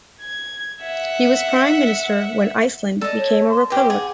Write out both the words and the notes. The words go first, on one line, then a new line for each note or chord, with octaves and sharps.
He was prime minister when Iceland became a republic.
G#6
E5 F#5
A4 D5 D#5
C#5
C6
G4 B4 D#5
G#4 F#5